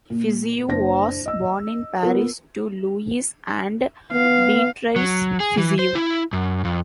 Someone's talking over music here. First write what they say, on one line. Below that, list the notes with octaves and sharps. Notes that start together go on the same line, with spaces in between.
Fizeau was born in Paris to Louis and Beatrice Fizeau.
A#2
F#1 D4 C5 A#6
D#5 E6
B3 F4 A#4 B4
B3 F5
F#3
G#4
E3
C5
E4
F#2
F2